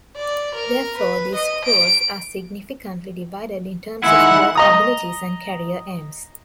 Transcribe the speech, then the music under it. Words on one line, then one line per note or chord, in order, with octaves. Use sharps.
Therefore, these schools are significantly divided in terms of both abilities and career aims.
D5
A#4
B4
D#5
D7
D#3 G#3 E4 F#5
D#5 A#5 D#6